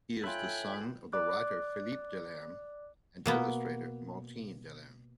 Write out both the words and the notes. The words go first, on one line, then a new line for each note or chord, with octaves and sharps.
He is the son of the writer Philippe Delerm and illustrator Martine Delerm.
F4 A4 C#5 E5 G5 G#5 B5 F#6
D5 D6 F#6
B2 A#3 B3